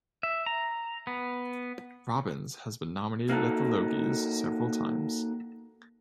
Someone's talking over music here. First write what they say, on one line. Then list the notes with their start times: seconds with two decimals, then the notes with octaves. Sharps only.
Robbins has been nominated at the Logies several times.
0.23 E5
0.46 A#5
1.07 B3
3.30 A#3 D#4 F#4 A4